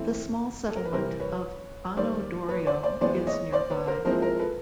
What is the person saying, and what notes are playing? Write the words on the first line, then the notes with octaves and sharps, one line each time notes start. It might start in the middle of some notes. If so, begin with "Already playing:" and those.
The small settlement of Ano Dorio is nearby.
Already playing: E3 A3 C4 E4
A4
A#4
B4
C3 E3 G3 A#4 C5
B4 C#5
D#3 G3 A#3 C5 D5
B4 C#5
C5 D5
C5 D5
E3 G#3 B3 C5 D5
C#5 D#5
C5 D5
B4 C#5
A#4 C5
F3 G#3 C4 E4 A#4 C5
A#4
A4 B4